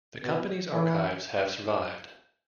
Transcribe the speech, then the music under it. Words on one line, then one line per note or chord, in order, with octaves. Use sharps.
The company's archives have survived.
B2
E3